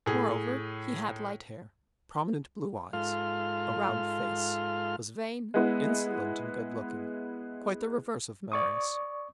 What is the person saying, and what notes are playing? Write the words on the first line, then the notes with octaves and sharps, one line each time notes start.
Moreover, he had light hair, prominent blue eyes, a round face, was vain, insolent and good-looking; quite the reverse of Marius.
A2 G#4
G#2 F4 A4 F5 C6 F6
G#3 B3 E4
D5 C#6 D#6